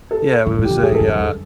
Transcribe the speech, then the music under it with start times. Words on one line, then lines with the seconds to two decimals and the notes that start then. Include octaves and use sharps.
yeah, it was a, uh,
0.11 A4
0.46 A2
0.58 G#2
0.64 G4
0.71 D3
0.82 C3 G#4
0.92 C#3
0.95 A4
1.00 G2
1.09 F#2
1.19 E2